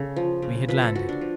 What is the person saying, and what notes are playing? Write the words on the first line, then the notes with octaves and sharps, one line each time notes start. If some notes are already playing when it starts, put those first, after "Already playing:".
We had landed.
Already playing: C#3 A4
F3
C#3
F3 B4
A4
F3 F#4
D4
F3